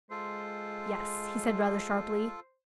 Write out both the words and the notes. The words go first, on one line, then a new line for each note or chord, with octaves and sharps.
"Yes," he said rather sharply.
G#3 F4 A4 C5